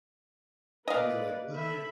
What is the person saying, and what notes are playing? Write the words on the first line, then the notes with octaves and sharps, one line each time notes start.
he was all, like, "what?"
A#3 B4 D5 D#5 F5
A4 E5 B5